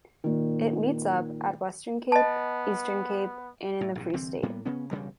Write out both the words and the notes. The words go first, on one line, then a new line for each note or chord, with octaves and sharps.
It meets up at Western Cape, Eastern Cape and in the Free State.
A#2 D#3
B3 D#5 A5
A2
A#1 G#2 C3
C2 D3 E3 C4
A2 G3 A#3 B3
C#3 B3 C#4
E1 G2 C#3 G3